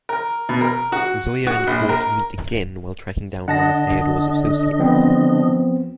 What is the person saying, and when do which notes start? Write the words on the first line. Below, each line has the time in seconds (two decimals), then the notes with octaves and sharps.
Zoya and Court meet again while tracking down one of Feodor’s associates.
0.09 A#4
0.49 B2
0.61 A#4
0.92 F#4
1.47 F#4
1.67 A#1
1.89 A#4
3.48 D3 D4 D#5 F#5 A5 A#6
4.79 F3 B3 C4